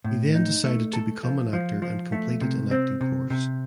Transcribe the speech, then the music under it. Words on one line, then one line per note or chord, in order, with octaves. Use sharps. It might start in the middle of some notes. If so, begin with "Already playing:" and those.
He then decided to become an actor and completed an acting course.
A2
D#4
A3
A4
F3
F3
F3
A3
C3
C4
C3
C3